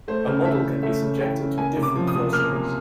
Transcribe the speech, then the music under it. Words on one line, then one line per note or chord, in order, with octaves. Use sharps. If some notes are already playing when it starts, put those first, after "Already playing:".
A model can be subjected to different forcings.
A3 C5
C#3
E3 E5
C#3
A3 E5
C#3
E3 G5
C#3
A#3 G#5
C3
D6
F3
D#6
C3
A#3 F6
C3